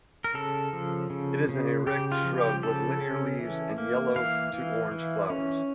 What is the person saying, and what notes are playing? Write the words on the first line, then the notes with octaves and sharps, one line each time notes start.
It is an erect shrub with linear leaves and yellow to orange flowers.
A#4
C#3 A4
F3
C#3
C#3
C#3 G4
F4
F3
G4
C#3 A4
C#4
E3
A#3
E3 F5
E3
E3
C#4